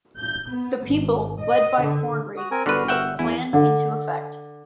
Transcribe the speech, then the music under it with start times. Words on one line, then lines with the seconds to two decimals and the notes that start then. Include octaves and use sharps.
The people, led by Fornri, put the Plan into effect.
0.16 G6
0.48 B3
0.86 G#1
1.42 D#5
1.82 D3
2.37 F#4 D#6
2.51 C4 A#4 G#5
2.66 G1 D3 F#4 B4 F6
2.88 E5 F#5 G5
3.19 E2 E4 G#5
3.53 D3